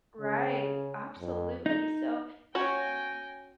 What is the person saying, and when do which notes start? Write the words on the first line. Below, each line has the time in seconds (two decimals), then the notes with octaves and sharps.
Right. Absolutely, so,
0.21 C#3
1.19 F2
1.66 D#4
2.55 C#4 F#4 C#5 G5 G#5 A#6